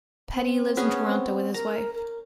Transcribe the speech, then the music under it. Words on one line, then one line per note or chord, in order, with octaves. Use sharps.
Peddie lives in Toronto with his wife.
C4
B3 C#4 G#4
C4
A#4 A#5
A#4